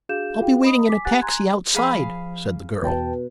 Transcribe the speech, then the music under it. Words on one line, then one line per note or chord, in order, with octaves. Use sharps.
"I'll be waiting in a taxi outside," said the girl.
D4 F#4 G#4 F5 G6 E7
F4 F#4 G#4 F5 G5
D#5 B5 D#6
G#5 D6 B6
G4 F#5 G#5 F#6 A6
G#5 A#5 C6 F#6 G#6
F3 G#4 F5 B5
E2 B2 B4 G5 A5